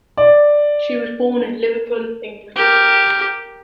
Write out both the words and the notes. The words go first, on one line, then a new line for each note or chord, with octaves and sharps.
She was born in Liverpool, England.
D5
G4 A#4